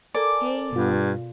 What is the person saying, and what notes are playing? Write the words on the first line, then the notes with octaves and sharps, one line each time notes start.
Hey ho!
A4 A#4 D5 G#5
G2 B2 F4